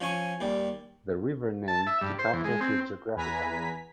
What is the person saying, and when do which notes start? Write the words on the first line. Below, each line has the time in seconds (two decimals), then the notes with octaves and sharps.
The river name took after this geographical name.
0.01 F3 C#4 G#5 C#6
0.41 D#2 G3
1.68 A5
1.87 E5
2.01 G2
2.19 C5
2.33 E2
2.44 G#3
2.61 C4
3.16 E2 B4 G#5 A#5 B6